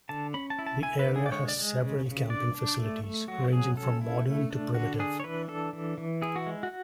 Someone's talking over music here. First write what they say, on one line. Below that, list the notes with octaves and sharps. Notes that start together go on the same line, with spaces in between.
The area has several camping facilities, ranging from modern to primitive.
D3 A5
C#4 B5
A5
E4
A5
E4 G#5
B4
D3
G#4
D5
G#3 C#5
D5
G#3
C#3
C#3
D4 D5
D4
A3
A3
F#3 F#4
F#3 G#4
C#4 A4
E4
A3
D4
D3 F#4
D4 G#4
C#5
E3 B4
D4 A4
E3
E3
E4 G#4
F#4
G#3
F#4